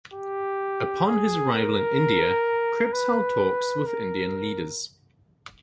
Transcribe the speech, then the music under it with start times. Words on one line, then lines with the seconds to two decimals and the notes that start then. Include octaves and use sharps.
Upon his arrival in India, Cripps held talks with Indian leaders.
0.14 G4
1.07 G#4
1.53 A#4
2.93 B4
3.86 A#4